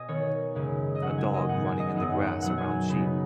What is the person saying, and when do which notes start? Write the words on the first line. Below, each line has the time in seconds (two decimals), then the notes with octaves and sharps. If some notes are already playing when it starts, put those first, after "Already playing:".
A dog running in the grass around sheep.
Already playing: B2 D#5 G#5
0.08 D#3 B3 D#4 C#5
0.55 F#2 C#3 G#3 C#4
0.95 D#5
1.02 D#3 F#3 C#4 F#5
1.18 G#5
1.34 D#5
1.48 G#2 G#3 B3 D#4 F#5
1.65 G#5
1.80 D#5
1.94 F#2 F#3 B3 D#4 D#5
2.12 F#5
2.27 F#5
2.42 B2 F#3 B3 D#4 F#5
2.58 G#5
2.89 C#3 B3 D#4 B5